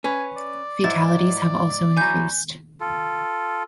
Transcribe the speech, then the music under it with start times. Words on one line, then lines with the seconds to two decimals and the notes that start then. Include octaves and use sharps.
Fatalities have also increased.
0.04 C#4 B4 G#5
0.36 D5
0.84 G#2 E4 A6
1.97 E3 F#3 G#5 G6
2.80 F4 A4